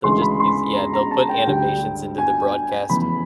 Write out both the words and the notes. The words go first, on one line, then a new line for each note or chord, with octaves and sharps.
They'll just use yeah, they'll put animations into the broadcast.
D2 C#3 E3 G#3 C6
B5
C6
A#5
A#5
A5
G5
D2 D3 G3 G5
G#5
F1 E2 C#3 E3 B5